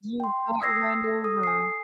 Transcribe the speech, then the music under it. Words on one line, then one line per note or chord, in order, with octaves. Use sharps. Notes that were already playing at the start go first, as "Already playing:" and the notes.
You got run over.
G5 C6
D#6 E6 G#6 A#6 C7
A4
D#6
G#5 C7